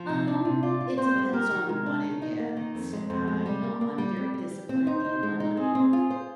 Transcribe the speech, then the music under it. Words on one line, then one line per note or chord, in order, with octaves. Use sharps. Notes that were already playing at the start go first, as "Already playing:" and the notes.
Um, it depends on what it is, uh, you know, I'm very disciplined in my money,
Already playing: F3
C3
D4 D5
C3
F4 D5
F4
C4 C5
G3
G4 A#4
D#3
G#3 A#4
D4
D#3
D#4
A#3
D#3
F2
G#3
F2 C5
G#3
G3 D5
A#3
A#3
G3
C4
G3
G4
C4
D#4 C5
D#4
G#3
D#4
C4 G#4
C4
F4 G#4
C5